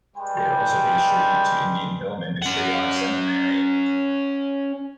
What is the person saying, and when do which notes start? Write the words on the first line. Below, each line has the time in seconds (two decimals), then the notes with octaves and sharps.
It also pays tribute to Indian film industry on its centenary.
0.17 G3 G#3 B4 G5 C6
2.42 C#4 F#5